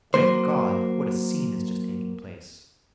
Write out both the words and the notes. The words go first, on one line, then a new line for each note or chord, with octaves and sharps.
Great God! what a scene has just taken place!
F#3 A#3 C5